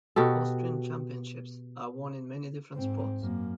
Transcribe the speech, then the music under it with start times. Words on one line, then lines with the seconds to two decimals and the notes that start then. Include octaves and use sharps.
Austrian championships are won in many different sports.
0.16 B2 F#4 G4 A4
2.76 G#2 C4
3.22 F#2 A#3